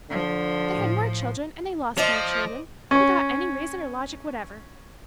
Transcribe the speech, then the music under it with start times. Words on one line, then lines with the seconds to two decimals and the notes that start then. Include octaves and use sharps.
They had more children, and they lost more children,--without any reason or logic whatever.
0.10 D3 F3
0.73 A2
1.97 F3 C5 D5 D#5
2.91 C#4 C#5